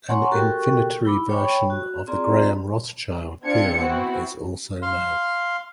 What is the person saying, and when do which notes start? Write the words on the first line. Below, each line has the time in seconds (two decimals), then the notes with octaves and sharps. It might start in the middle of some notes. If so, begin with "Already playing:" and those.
An infinitary version of the Graham–Rothschild theorem is also known.
0.08 C#5 F#5 G#5 A#5 C6 C#6
0.32 F#4 G4 A4 A#4 G5 C#6
1.05 E4 B5 D6
1.30 C#5 G5 B5 C#6
1.70 F#4
2.07 C4 F4 G#4 D5 A#5 C6
3.43 C4 D4 F4 G#6 C#7
3.77 B3 C4 E4 F#4
4.82 F5 C6